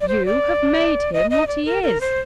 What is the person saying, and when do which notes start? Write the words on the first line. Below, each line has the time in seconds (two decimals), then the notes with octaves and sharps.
You have made him what he is!'
0.01 D5
0.08 C5
0.25 D5
1.13 D#5
1.30 D#5
1.47 D5
1.65 A#4
1.83 A#4
2.01 C5